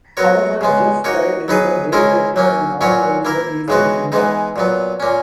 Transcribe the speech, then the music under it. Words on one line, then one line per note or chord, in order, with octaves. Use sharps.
However, Jeff Caird is a daybreaker, and not only that, he's an immer.
F#3 B3 F#4 A#4 C#5
C#3 G#3 B3
A#3 D#4 F#4 C#5
F#3 B3 D#4 G#4 B4
C#3 G#3 C#4 E4 A#4
F#3 A#3 C#4
A#2 F#3 C#4 F#4 C#5
A#3 E4 A#4
C#3 E3 G#3 B3 F#4
E3 G#3 B3 D#4
A#2 F#3 B3
A#2 A#3 C#4